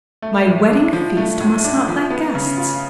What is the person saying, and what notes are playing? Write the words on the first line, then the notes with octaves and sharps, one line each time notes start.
My wedding feast must not lack guests.
A3
A2
D4
F3
A3
A2
D4
F3
B3
C#3
F4